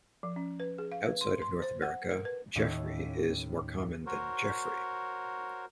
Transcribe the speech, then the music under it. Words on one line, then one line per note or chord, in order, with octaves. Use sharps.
Outside of North America, "Geoffrey" is more common than "Jeffrey".
F3
C#4
B4
G#4
F5
B4
C6
C6
C5
F#5
A#4
B4
D#2 A2 A3 C#4 D#4 E5
F#4 A#4 C5 C#5